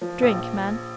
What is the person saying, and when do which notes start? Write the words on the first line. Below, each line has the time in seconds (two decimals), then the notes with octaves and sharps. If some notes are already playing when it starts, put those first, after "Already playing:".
Drink, man!
0.01 F3
0.22 A#1